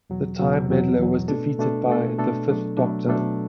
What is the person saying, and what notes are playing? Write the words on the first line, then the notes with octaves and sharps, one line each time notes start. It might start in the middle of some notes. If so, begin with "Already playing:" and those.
The Time Meddler was defeated by the Fifth Doctor.
E2 B2 F#3
E2 B2 F#3
E2 B2 F#3
E2 B2 F#3
B2 A3 D4 A4
B2 A3 D4 A4
B2 A3 D4 A4
B2 A3 D4 A4
B2 F#3 A3 D4 A4
B2 F#3 A3 D4 A4
B2 F#3 A3 D4 A4